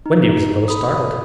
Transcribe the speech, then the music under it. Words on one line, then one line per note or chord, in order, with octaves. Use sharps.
Wendy was a little startled.
D#4
B5 D#6